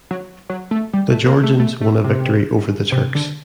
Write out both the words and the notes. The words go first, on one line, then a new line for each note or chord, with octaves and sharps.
The Georgians won a victory over the Turks.
F#3
F#3
A3
G3
A3
A#3
A3
A3
A3
C3
C3
D3